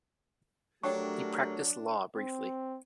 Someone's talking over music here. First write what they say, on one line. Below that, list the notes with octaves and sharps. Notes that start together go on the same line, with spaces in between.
He practiced law briefly.
F#3 A3 D4 G4 A#4 C#5 G5 C#6
C4